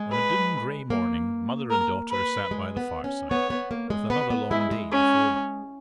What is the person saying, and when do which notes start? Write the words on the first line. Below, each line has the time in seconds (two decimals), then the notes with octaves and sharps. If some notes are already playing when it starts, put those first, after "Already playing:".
On a dim gray morning, mother and daughter sat by the fireside, with another long day before them.
Already playing: G#3
0.11 B4
0.90 A#3
1.71 A#4
2.10 B4
2.51 G#3
2.77 B3
3.04 C#4
3.31 B3 C#5
3.50 B3
3.71 A#3
3.90 G#3
4.10 B3 B4
4.30 B3
4.50 G#3 E4
4.71 G#3
4.91 C#4